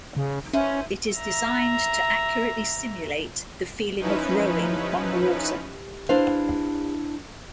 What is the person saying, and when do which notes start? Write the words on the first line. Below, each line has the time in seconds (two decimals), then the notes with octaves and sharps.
It is designed to accurately simulate the feeling of rowing on the water.
0.17 C#3
0.53 C#4 E4 B4 C5
1.13 E5 A#5
3.99 F3 C#4 D#4 E4 B4
6.09 D4 E4 B4 C5 F5